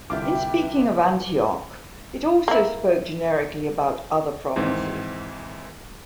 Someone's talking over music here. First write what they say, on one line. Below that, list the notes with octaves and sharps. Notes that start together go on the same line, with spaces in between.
In speaking of Antioch, it also spoke generically about "other provinces".
C2 D3 E4 F4 G4 B4 D6
A#3 E4
D#2 G#2 E3 C4